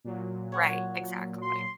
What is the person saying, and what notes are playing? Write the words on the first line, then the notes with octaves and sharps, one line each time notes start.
Right, exactly.
A#2 F#3
C#5 F#5
C6